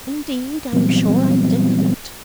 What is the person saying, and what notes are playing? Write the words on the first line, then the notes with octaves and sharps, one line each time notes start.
"Indeed I'm sure I didn't."
A#2 E3 F#3 G3 B3 C4